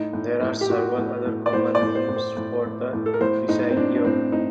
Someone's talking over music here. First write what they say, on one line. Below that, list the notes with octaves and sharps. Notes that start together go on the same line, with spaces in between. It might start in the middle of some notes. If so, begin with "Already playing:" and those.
There are several other common names for the "passaggio".
Already playing: A2 D#4
A2
A2
G4
A2 F#4
A2
A2
D5
A2 C5
D5
A2
C5
A2
C5
A2
A2
A2
A4
A#4
A2 C5
A2 D#4
C4
A2 D4
D4
A2 C4
A2 D#4